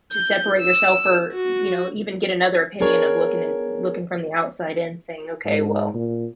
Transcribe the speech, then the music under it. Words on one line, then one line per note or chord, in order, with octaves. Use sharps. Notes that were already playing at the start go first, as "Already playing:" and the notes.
to separate yourself, or, you know, even get another opinion of looking and looking from the outside in saying, "Okay, well,
G6
E6
F#4
B3 D4 G#4 A#4 C#5
G#2
A#2